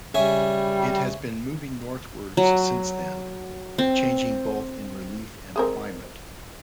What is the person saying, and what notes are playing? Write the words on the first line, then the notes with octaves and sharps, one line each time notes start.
It has been moving northwards since then, changing both in relief and climate.
C#3 G3 E5 G#5
F#3
C4
G#3 C4 A#4